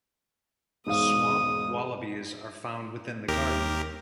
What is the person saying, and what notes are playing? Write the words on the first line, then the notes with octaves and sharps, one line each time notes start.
Swamp wallabies are found within the Garden.
E1 G#2 F5 D#6
D#2 G4 A#4